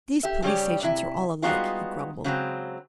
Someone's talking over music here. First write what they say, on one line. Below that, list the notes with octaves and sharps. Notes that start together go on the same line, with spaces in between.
"These police agents are all alike," he grumbled.
G4 E5
G2 C#3 G3 G4 C#5 D5
C3 E4
G3 G#3 B3 D#4 F4 F#4
C#3 F#3 G#3 C4